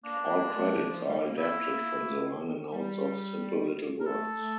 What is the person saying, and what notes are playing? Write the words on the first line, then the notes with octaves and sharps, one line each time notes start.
All credits are adapted from the liner notes of "Simple Little Words".
A#3 D4
A#3
A#3
A3
E3
F3
G3
A#3
E4
G3
A#4
A3 A4
A3